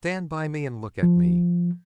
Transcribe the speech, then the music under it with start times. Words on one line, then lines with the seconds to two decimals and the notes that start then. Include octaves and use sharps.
Stand by me and look at me.
1.03 F3